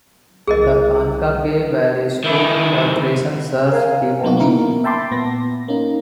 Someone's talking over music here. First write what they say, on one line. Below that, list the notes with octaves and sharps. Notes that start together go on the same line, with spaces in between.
The Kankakee Valley School Corporation serves DeMotte.
C2 G#4 A#4 D#5
D#3 E4
A#4 F5 G#5
B2 F#3 A#3 D#4 F#4
A#3 B3 E4 A#4
E5 G5 A5 B5 C6 D6
A#2 B3 A#6
A#3 C#4 D#4